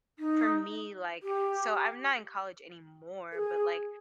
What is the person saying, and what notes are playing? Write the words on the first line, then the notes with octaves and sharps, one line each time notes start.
for me, like so, I'm not in college anymore, but, like,
D#4
G4
A#4
G#4